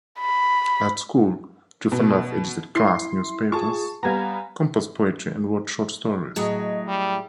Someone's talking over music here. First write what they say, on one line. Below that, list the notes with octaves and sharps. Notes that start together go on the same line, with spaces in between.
At school, Trifonov edited class newspapers, composed poetry and wrote short stories.
B5
B2
E4 C6 C7
F4 G#4 A5 C#6
G3 B3 F5 G#5 A#5
A2 F#3 G#4 D#5 D#6
G3